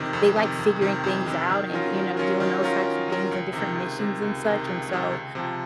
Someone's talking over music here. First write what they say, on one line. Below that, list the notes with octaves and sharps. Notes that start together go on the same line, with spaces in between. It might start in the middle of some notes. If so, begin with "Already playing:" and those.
they like figuring things out and, you know, doing those types things and different missions and such, and so,
Already playing: F2 C3 D#3
F2
C3 D#3
F2
C3 D#3
F2
C3 D#3
D#3
F#3 C#4 F4 A#4
D#3
F#3 C#4 F4 A#4
D#3
F#3 C#4 F4 A#4
D#3
F#3 C#4 F4 A#4
C#2
C3 D#3
C#2
C3 D#3
C#2
C3 D#3
C#2
C3 D#3
C#2
C3 F3